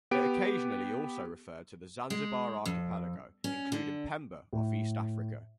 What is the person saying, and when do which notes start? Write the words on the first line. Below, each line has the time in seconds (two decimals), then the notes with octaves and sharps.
It occasionally also referred to the Zanzibar Archipelago including Pemba off East Africa.
0.11 B3 G4 D7
2.10 G#3
2.66 F2
3.44 C#4
3.72 D3
4.53 A2